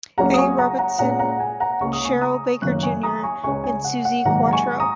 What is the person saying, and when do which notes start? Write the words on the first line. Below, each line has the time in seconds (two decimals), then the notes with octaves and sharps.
A. Robertson, Cheryl Baker, Junior and Suzi Quatro.
0.17 C#2 C#3 F#3 A#3 C#4 F#5 A#5
0.34 D#6
0.38 G#5 C#6
0.58 F#5 A#5
0.79 F#5 A#5
0.99 A#2 G#3 C#4 F#5 A#5
1.19 F#5 A#5
1.40 G#5
1.60 F#5 A#5
1.80 C#2 C#3 A#3 C#4 C#6
1.93 D#6
2.04 G#5 C#6
2.21 A#5 D#6
2.62 F#2 D#3 A#3 C#4 C#6 F#6
2.83 G#5 C#6
3.03 A#5 D#6
3.23 G#5 C#6
3.44 C#2 C#3 G#3 C#4 G#5 C#6
3.64 G#5
3.84 F#5
4.05 F#5
4.25 G#2 D#3 F#3 A#3 F#5 A#5
4.48 A#5
4.53 G#5 C#6
4.80 A#5 D#6